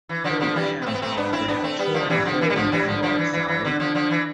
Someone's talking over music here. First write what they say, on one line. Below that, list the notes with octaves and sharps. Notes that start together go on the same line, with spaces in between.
Her ram, however, had torn a hole in "Vanguard"s side.
E3
D3 F3
D3 F3
E3 G3
B3
A3 C4
B3
A3 C4
B3 D4
C4 E4
B3 D4
A3 C4
G3 B3
F3 A3
E3 G3
D3 F3
E3
G3
D3 F3
E3 G3
D3 F3
D3 F3
E3
E3
E3
D3
D3 F3
D3 F3
E3